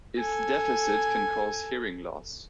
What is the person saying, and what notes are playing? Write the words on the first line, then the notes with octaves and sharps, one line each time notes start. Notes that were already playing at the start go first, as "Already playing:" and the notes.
Its deficit can cause hearing loss.
A4 G#5